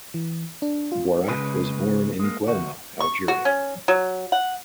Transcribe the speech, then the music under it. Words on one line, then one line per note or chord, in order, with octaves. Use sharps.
Boirac was born in Guelma, Algeria.
E3
D4
F4
C#2 C#3 G#3 B4
G#3 A#3
D2 F#4
C#6
F#4
C#4
F#3
F#5